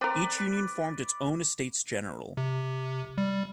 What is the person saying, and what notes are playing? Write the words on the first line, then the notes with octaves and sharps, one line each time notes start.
Each union formed its own Estates General.
C4 A#4 B4 D5
C3
G3